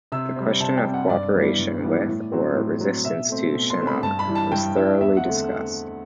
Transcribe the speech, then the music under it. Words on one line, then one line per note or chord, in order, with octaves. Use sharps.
The question of cooperation with, or resistance to, Sihanouk was thoroughly discussed.
C3 E6
G3 C4
C3 A5
G5
G3 C4
F#5
G2 D5
E3 G3 B3
G2
E3 G3 B3
A2
F#3 C4
A2
F#3 C4
B2 E5
A3 C4
B2
C6
A3 C4
B5
G2 A5
B5
E3 G3
A5
G2 G5
E3 G3 E5
E2 E5
F#5
D3 A3 C4